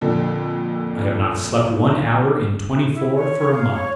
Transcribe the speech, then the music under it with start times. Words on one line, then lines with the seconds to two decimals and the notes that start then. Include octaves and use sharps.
I have not slept one hour in twenty-four for a month.
0.01 F2 A#2 D3
2.93 E4
3.16 C#5
3.53 F5
3.75 C#5